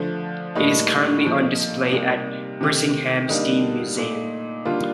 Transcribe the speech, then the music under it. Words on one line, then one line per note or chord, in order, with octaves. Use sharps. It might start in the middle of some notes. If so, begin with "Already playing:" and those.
It is currently on display at Bressingham Steam Museum.
Already playing: D3 F3 A3
A2 G3 A#3 D#4
A#2 F3 A3
C3 G3 A#3
C3 D#3 A3
D3 G3 A#3 D#4
A#2 A3
D3 G3 A#3 F4